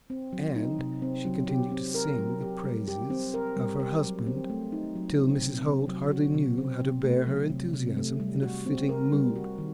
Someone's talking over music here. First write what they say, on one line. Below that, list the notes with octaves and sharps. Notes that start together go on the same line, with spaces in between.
And she continued to sing the praises of her husband till Mrs. Holt hardly knew how to bear her enthusiasm in a fitting mood.
C4
F#3
D#4
C3
C4
F#3
G4
C4
A#4
F#3
G4
G3
G4
C4
A#4
G3
G4
F#3
C4
A3
D#4
F#3
C4
C3
C4
F#3
F#4
C3
C4
C3
A3
F#3
C3
C3
A3
G3
F#4
C4
A#4
G3
F#4
D#3